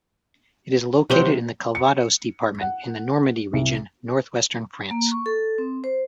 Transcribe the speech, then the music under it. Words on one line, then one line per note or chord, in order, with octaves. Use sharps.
It is located in the Calvados department, in the Normandy region, northwestern France.
C3 F#3 G4 C5
C#7
F#5
C2
A#3
C#6
A4
C4
C5